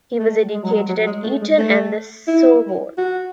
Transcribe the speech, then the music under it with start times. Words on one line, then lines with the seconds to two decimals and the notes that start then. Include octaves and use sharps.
He was educated at Eton and the Sorbonne.
0.18 A3
0.54 G#3
0.64 F#3
0.74 G#3
0.89 F#3
1.06 G#3
1.23 A3
1.41 G#3
1.58 A3
2.28 E4
2.98 F#4